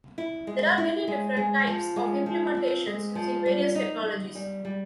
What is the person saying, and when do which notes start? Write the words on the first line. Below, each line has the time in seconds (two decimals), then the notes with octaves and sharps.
There are many different types of implementations using various technologies.
0.18 E4
0.47 G#3
0.78 E4
1.08 G#3
1.37 G#3
1.67 F3
1.96 G#3
2.26 F3
2.57 C4
2.86 G#3
3.15 F3
3.46 G3
3.75 D#4
4.06 D#4
4.35 G3
4.65 G3